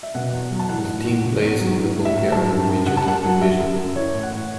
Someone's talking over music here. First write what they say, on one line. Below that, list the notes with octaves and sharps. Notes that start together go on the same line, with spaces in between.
The team plays in the Bulgarian Regional Division.
E5
B2 F#5
E2
F#3
A5
E3 F#5
A2
A2
C#3
E2
F#3
E3
A2
E5
A2
F#3 A5
F#2
F#2
C#3 F#5
A5
F#2 F#5
F#3
F#3 E5
F#2
F#2
E3 C#5
A2
F#5
A2